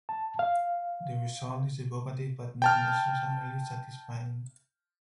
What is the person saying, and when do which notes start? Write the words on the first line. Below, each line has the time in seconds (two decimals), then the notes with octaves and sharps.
The result is evocative but not necessarily satisfying.
0.09 A5
0.39 F5
2.62 G5 A5 F6